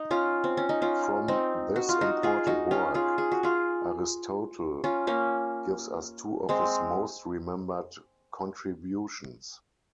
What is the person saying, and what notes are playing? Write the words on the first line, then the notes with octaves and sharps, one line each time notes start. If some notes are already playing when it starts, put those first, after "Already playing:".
From this important work Aristotle gives us two of his most remembered contributions.
Already playing: D#4
C#4 F4
C4
C#4
D#4
C#4 F4
C4 D#4
F#4
F4
D#4 F#4
F4 G#4
D#4 F#4
C#4 F4
F4 G#4
G#4
F#4
F4 G#4
C#4 F4
A#3 C#4
G#3 C4